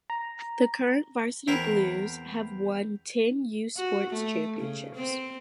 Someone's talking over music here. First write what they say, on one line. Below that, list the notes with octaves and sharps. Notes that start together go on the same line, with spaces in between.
The current Varsity Blues have won ten U Sports Championships.
A#5
E2 C4 E4 A#4 B4
F#4
A3
C#3
C4